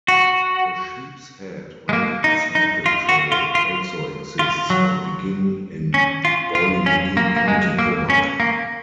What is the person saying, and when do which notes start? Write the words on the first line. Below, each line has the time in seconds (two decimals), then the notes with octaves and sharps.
A Sheep's Head Way cycle trail also exists, and begins in Ballylickey, County Cork.
0.08 F#4
1.89 G#3
1.93 A#3
2.24 D#4
2.55 D#4
2.86 F4
3.09 F#4
3.32 F4
3.55 F4
4.39 F4
4.70 F#3
5.94 C#4
6.25 F4
6.55 F4
6.86 C#4
7.17 A#3
7.36 A#3
7.48 G#3
7.79 A#3
8.10 C#4
8.40 A#3